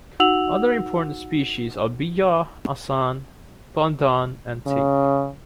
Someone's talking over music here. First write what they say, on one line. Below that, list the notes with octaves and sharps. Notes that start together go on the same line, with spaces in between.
Other important species are bija, asan, bandhan and teak.
D#4 F#4 F#5 E6 F7 F#7
C#3